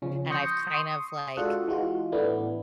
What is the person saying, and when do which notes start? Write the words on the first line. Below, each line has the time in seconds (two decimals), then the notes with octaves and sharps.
and I've kind of like,
0.02 C#3 F3 C#4
0.30 C6 C#6 D#6 G6 A#6 C#7
0.74 C6 C#6 D#6
1.37 G#3 D4 F4 F#4 A4 F#5
1.68 E3 G#3 F4 F#4
2.12 A2 E3 A3 B3 D4